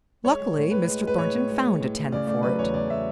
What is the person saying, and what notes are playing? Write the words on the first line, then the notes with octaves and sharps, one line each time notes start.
Luckily, Mr. Thornton found a tenant for it.
G#3 C#5
G#3
A2
A2 B4
G#3
G#3
B4
A2 C#5
A2
G#3
G#3
A2
A2
C#3 D5
A3 D5
F#3 B4
E2 C#5
C#3 D5
A3 E5